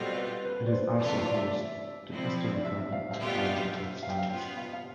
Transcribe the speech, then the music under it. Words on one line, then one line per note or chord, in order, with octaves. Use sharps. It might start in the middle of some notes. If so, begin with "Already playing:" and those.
It is also host to historical and archaeological sites.
Already playing: B2 G3 C4 F4 A4
B4
B4
D5
C5
C3 E3 A3 D4 F4 D5
D5
E5
D5
C3 F3 C4 E4
D5
E5
E5
F5
F5
B2 G3 B3 F4 E5
F5
F5
E5
F5
G5
F5
B2 B3 F4 G5
F5
F5